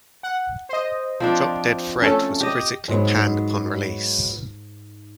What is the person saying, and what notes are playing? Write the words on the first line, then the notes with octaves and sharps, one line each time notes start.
"Drop Dead Fred" was critically panned upon release.
F#5
C5 D#5
F3 C4 D4
A3 C#4 A4
G4 D#5
G#2 F#3 G#3 B3